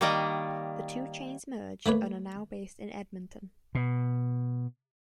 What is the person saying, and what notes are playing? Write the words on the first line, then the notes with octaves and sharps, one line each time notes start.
The two chains merged and are now based in Edmonton.
D#3 G3 A#3 D5 D#5
A3 A#3 B4 C#5
B2